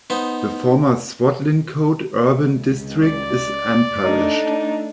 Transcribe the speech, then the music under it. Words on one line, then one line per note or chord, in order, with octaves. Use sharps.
The former Swadlincote Urban District is unparished.
B3 D#4 C5
C#2
D5
A3 D4 D#4